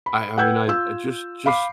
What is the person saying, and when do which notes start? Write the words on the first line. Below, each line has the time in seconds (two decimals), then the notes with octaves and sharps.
I I mean, I I just just
0.06 B5
0.37 B4 F#5 G5 E6 G6 G#6
0.68 F4 E6
1.46 F5 B5 D6 C7